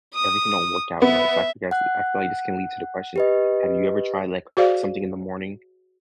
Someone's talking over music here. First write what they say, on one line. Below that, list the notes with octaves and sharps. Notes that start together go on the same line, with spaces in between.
"Everything don't work out well." So I can guess I feel like this can lead to the question, like, have you ever tried, like, something in the morning
D#6
B3 E5
F#5 F#6
G4 B4 D#5
F#4 G#4 C5 D5 F5